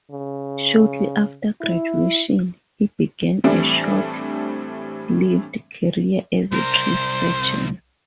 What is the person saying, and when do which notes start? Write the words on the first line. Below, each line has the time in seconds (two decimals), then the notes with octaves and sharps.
Shortly after graduation, he began a short-lived career as a tree surgeon.
0.11 C#3
1.61 E4
3.44 A2 E3 G3 A3 C4 D4
6.52 C2 A#4 C5